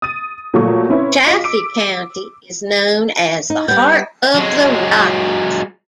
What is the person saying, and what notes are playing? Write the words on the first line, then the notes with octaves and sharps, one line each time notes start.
Chaffee County is known as the "Heart of the Rockies".
D#6 A6 D#7
A#2 F3 F#3 A3 C#6
C4 C#4 E4 B4 C#5
F4 D#5 B6
D6 E6 D7
D#4
G3 B3 G6
F#3 G#3